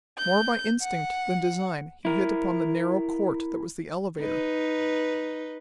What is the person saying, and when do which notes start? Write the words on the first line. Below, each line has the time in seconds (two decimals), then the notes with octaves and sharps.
More by instinct than design he hit upon the narrow court that was the elevator.
0.18 G6
0.82 F#5
2.05 E4 A#4
4.20 D#4 B4